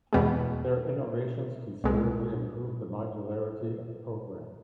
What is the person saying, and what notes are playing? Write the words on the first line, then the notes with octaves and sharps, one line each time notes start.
Their innovations considerably improved the modularity of programs.
E2 B2 G#3
C2 B2 G#3